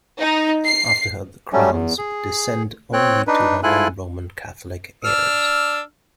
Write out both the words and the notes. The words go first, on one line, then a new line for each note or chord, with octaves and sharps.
After her the crowns would descend only to her non-Roman Catholic heirs.
D#4
C7
F#3 G3 A3 C#4
E2
G#4
C4 C#5 G5 F#6
D4 D#4 B4
G#2 E4 F4 A4 G#5 F#6
D4 E6 F6